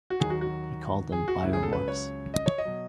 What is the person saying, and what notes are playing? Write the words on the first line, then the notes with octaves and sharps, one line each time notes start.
He called them biomorphs.
F#4
D#2 D#3 F#3 G#4
F#4
F#4
G#4
F#4
C#2 C#3 F#3 E4
G#4
A4
B4
C#5
D#5
C#5
D#5
B2 F#3